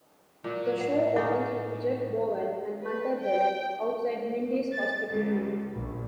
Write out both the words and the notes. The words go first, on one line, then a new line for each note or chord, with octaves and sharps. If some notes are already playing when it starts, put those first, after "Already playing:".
The show opens with Jeff Bowen and Hunter Bell outside Mindy's hospital room.
A#2 F#3
A2 F#5
C#4 D#4 E4 G#4 F#5
B4
G5
A6
C#2
A#1